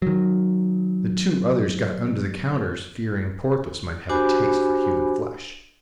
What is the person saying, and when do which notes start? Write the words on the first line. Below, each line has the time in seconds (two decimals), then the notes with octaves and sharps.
The two others got under the counters, fearing Porthos might have a taste for human flesh.
0.02 D#3 F#3
4.09 D4 F#4 G4 C5 G#5 B5